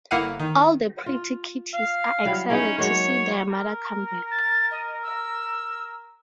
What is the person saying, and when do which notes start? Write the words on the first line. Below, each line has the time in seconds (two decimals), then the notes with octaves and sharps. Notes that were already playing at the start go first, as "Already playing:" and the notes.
All the pretty kitties are excited to see their mother come back.
0.11 G1 A#3 E4 F5 F#5 D#7
0.40 D#3
1.06 F4
1.74 F5
2.25 F#3 G3 E4
2.50 C#4 D#4 E4 G#4
2.78 F#3 G#3 A#3 C#5
3.51 A#4
4.31 A6
4.71 D#5
5.02 E6